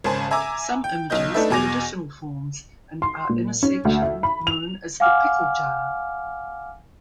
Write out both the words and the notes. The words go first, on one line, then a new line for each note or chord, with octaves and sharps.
Some images have additional forms and are in a section known as the "Picklejar".
G#1 C#3 C5 G#5 A5
E5 G#5 A#5 D6 E6
G5
B1 D#4 D#5 G6
A3 D4 D#4 A4 B4 E5
E2 B2 G#5 D6 A#6 F7
C6
A#2
C#4
D2
E5
B5
F7
F5 F#5 G#5 D6 F6